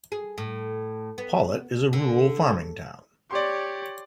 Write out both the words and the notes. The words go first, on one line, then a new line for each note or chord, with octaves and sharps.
Pawlet is a rural farming town.
G#4
A2
B3
D3
G4 C#5 D5 C6